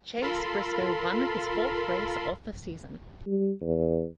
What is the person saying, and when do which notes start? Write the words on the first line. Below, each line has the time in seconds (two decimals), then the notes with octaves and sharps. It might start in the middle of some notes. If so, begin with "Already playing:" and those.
Chase Briscoe won his fourth race of the season.
0.22 F4 A4 A#4 A5 B5 C6
3.27 G3
3.61 E2